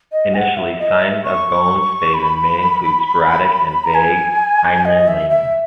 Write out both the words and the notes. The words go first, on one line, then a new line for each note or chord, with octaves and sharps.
Initially, signs of bone spavin may include sporadic and vague hindlimb lameness.
D#5
G#5
F#5
E5
D#5
E5
C#6
B5
A#5
G#5
D#5
E5
E5